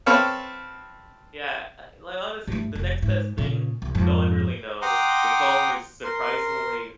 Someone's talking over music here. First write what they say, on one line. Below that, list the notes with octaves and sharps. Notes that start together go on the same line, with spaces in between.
Yeah, e like, honestly, the next best thing, no one really knows. The phone is surprisingly
C4 A4 B4 C#5 F5
G2 A3
F1
G#2
A#2 C#3
C2
F2 G#2
F#5 G5 A#5 C6 D6 D#6
A#4 C6